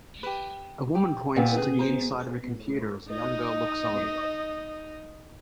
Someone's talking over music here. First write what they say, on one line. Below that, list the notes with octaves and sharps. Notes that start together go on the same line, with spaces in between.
A woman points to the inside of a computer as a young girl looks on.
G4 B4
G4
A#2 B3 C4 G4
G#4
C5 A#5
D#4 D#5